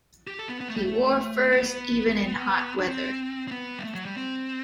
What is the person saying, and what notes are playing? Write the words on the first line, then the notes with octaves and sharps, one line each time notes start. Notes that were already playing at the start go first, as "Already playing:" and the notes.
He wore furs even in hot weather.
G4
A4
B3
B3
A3
G3
A3
C4
B3
D4
C4
C4
B3
G3
A3
F#3
G3
C4